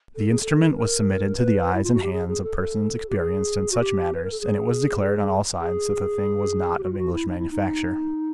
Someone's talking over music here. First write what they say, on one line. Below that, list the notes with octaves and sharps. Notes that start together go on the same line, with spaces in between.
The instrument was submitted to the eyes and hands of persons experienced in such matters, and it was declared on all sides that the thing was not of English manufacture.
A4
G#4
A4
B4
A#4
B4
E4
F4
F#4
G4
G#4
G#4
A4
A4
G4
G#4
F#4
G4
B4
A#4
A4
G#4
G#4
G#4
G4
F#4
F4
F#4
E4
D#4
E4
D#4